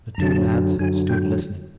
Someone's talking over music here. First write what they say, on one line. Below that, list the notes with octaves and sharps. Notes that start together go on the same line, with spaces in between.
The two lads stood listening.
A#5
F#2 D3 F#3 A5
F#2 D3 F#3 G#5
G5